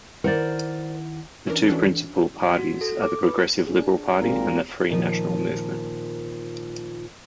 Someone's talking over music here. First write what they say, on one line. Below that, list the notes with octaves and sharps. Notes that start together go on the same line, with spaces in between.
The two principal parties are the Progressive Liberal Party and the Free National Movement.
D#3 E4 A#4 C5 D5 F#5
E3 C#4 D4 A#4
E3 C#4 D4 F#4 A4
F#4
A4
D6
B4
D4 G#4
G#1 A#2 F#3 C4 G4 A#4
A#2 D#3 F3